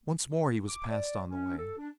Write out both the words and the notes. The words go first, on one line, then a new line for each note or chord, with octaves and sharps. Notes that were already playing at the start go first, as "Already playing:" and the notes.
Once more he was passed on the way.
D6
D5
C#4
A4
D4